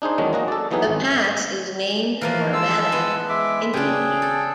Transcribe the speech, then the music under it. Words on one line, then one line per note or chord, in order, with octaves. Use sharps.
The pass is named for a Bannack Indian chief.
D4 D#4 G#4 C5
E2 D#3 F#3 G#3 C#4 D4
A#3 F#4 D#5
A4 D5
E3 F#3 B3 D#4 G#4 B4
G#1
E3 F3 A#3 A#4 F5
G#3 A5 E6
B3
G#3 E5 D6
C#3 D4 G#4 G5
A4